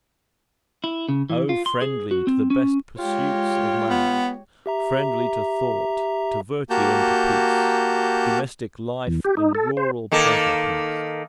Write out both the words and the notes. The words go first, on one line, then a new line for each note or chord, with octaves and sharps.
"O friendly to the best pursuits of man, Friendly to thought, to virtue, and to peace, Domestic life in rural pleasure pass'd."
E4
C#3
E3
F4
C6
G#4
F#4
C4
C#4
G#3 F4 G4 C#5
B3
G4 E5 A#5
A#3 F#4 G4 A5 A#5 G6
E2
G4
D#4
A4
C5
D#3 A#3 A4